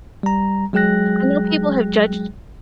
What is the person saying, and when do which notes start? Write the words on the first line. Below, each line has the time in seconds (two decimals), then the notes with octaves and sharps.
I know people have judged
0.23 G3 A#5
0.73 F#3 G#3 G#4 G5 F#6 A#6